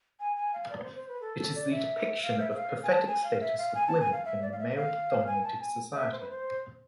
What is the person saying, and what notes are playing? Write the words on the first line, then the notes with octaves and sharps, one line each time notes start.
It is the depiction of pathetic status of women in the male dominated society.
G#5
G#5
F5
D5
B4
C5
C5
B4
A4
A4
D5
E5
F5
E5
E5
F5
G#5
A5
G#5
F5
E5
F5
G#5
A5
G#5
F5
E5
D5
F5
E5
E5
F5
G#5
A5
G#5
E5
C5
B4
C5